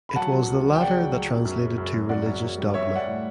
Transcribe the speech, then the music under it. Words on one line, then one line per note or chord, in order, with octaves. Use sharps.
It was the latter that translated to religious dogma.
B5
F#3 F#5 A5
F#3
C#2
F#3
G5
C#3 D5 F#5
F#3
F#3
C#3
F#2
C#3
F#2
F#2
F#2 D5 F#5
F#2
F#2
G3
G3 C#5 E5
G3
D5 F#5
A2